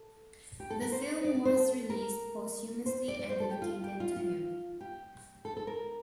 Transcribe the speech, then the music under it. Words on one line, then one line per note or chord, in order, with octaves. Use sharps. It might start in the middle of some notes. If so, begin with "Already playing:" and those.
The film was released posthumously and dedicated to him.
Already playing: A4
G4
A4
A#4
C5
D5
D5
C5
A4
A#4
C5
D5
D5
C5
A4
G4
F4
F4
G4
F4
F4
G4
A4
A4
A#4